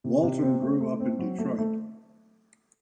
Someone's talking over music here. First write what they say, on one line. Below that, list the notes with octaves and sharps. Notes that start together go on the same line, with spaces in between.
Walton grew up in Detroit.
C3
C3
C4
A3
A3
C4
F#3
A3
A3